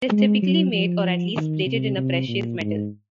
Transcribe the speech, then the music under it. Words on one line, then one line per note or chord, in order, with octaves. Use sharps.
It is typically made, or at least plated, in a precious metal.
G#3
F#3
F3
D#3
C3
C3
A#2
G#2